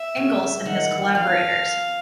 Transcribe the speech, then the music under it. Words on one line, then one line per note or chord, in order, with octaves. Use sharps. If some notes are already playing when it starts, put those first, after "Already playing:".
Ingalls and his collaborators.
Already playing: E5
C#3
D#3 F#5
E3
F3 F5